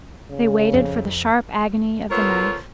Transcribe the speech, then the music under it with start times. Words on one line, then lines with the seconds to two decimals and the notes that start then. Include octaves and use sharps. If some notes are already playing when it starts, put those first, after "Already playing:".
They waited for the sharp agony of the knife.
0.30 C#3
0.74 F2
2.10 B3 F4 A4 A#4 C5 C#5